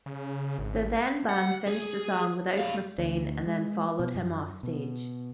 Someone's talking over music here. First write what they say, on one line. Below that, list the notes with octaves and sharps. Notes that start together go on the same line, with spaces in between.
The then band finished the song without Mustaine, and then followed him offstage.
C#3
G#1
A1
F#5
G#4
G4 F5
D2
G#3
B2
F#2
B2